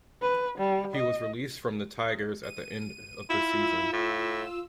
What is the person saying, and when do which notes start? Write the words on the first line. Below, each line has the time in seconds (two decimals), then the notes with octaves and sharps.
He was released from the Tigers at the end of the season.
0.22 B4
0.59 G3
0.96 D#5
2.43 D#7
3.30 E4 F4 E6
3.93 A2